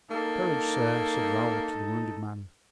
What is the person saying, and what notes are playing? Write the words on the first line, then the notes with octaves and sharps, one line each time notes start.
"Courage, sir," said Raoul to the wounded man.
A#3 D#4 A4